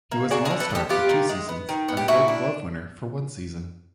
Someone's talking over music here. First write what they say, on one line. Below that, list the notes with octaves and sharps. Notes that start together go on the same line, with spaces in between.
He was an All-Star for two seasons and a Gold Glove winner one season.
A#3
D4 F#4 G#4
G#4 A#4
D3
A4 B4
D4
G4 A4
B3 F4 G4
D#3
G#3
B3
D#3
B3
G4
A#2 E4 F#4
D4